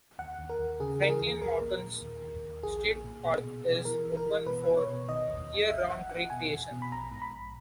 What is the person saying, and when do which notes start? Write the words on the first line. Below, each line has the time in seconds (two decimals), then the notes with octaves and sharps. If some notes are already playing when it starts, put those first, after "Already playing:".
Franklin Mountains State Park is open for year-round recreation.
0.19 D#2 F#5
0.39 D#2
0.50 A#4
0.59 D#2
0.80 C#3 G#4
1.00 E3 A#4
1.10 G#4
1.21 D#2
1.41 B1 A#4
1.61 A#2
1.82 A#2
2.02 D#2
2.22 D#2
2.43 D#2
2.63 A#1 G#4
2.84 A#2
3.04 A#2
3.25 B2
3.44 B2
3.66 B2
3.85 E3 A#4
4.06 G#1
4.17 A#4
4.26 E3
4.46 B2 B4
4.67 B2
4.77 C#5
4.88 B2
5.08 D#3 D#5
5.28 D#2
5.48 D#2
5.69 G#1 E5
5.89 G#1 F#5
6.10 G#1 F#5
6.30 B2 G#5
6.51 E2
6.71 B2
6.82 B5
6.92 A#1 A#5
7.12 G#2
7.22 B5
7.33 A#1